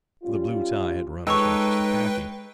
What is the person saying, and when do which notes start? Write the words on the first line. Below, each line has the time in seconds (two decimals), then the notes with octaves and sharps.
The blue tie had run as much as the khaki.
0.23 G3 C#4 F4
1.27 G#3 D#4 A4 B4 C#5 G5 C#6 E6